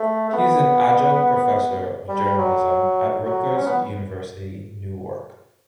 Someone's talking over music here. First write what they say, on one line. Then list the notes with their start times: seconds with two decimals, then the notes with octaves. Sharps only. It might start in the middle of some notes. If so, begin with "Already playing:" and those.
He is an adjunct professor of journalism at Rutgers University–Newark.
Already playing: A3
0.30 A3
0.33 B3
2.08 G3
2.39 F#3
3.26 F#3
3.58 C#4
3.66 B3